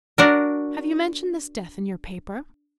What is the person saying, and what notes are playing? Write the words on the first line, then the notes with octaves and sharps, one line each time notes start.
"Have you mentioned this death in your paper?"
D4 F#4 A#4